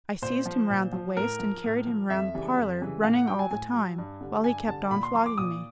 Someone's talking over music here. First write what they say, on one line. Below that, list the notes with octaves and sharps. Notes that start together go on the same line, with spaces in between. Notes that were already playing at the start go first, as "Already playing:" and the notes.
I seized him round the waist and carried him round the parlour, running all the time, while he kept on flogging me.
A#2 C5
F3
A#2
F3
A2 A#4
F3
A2
F3
F2 E5
C#3 E3 G3
F2
C#3 E3 G3
A2 F5
F#5
F#3 G5
G#5
A2 G#5
F#3
G2
D3 G3
G2 G#5
D3 G3 A5
A#2 B5
C6
F3 C6
D6
A#2 D#6